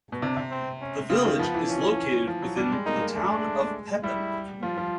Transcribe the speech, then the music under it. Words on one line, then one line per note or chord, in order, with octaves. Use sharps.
The village is located within the Town of Pepin.
B2
C3 D4
C3
C4
C#4
C#3 C4
D#3
F3 B3
E3
C#4
F3
F#3
G3 D4
G#3
A#3 D#4
A#3
A3 D4
G#3
G3 E4
F3 F4
F3